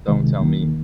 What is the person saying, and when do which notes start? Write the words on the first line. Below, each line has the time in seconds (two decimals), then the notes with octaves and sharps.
"Don't tell me."
0.08 C#2 C3 D#3 G#3
0.41 D#2 D#3 A#3